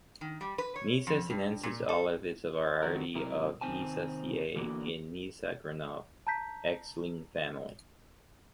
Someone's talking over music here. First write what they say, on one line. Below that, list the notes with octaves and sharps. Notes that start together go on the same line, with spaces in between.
Nyssa sinensis Oliv is a variety of Nyssaceae in Nyssa Gronov. ex Linn family.
D#3
G3
B4
C#5
F2
G2
A#2
A4
D#3 C4 F#4 A#4
C3 F#3 E4 A#4
C3 D#3 C4 G#5 A5
E2 D3 E3 A#3 F#4
A5 A#5 G6 B6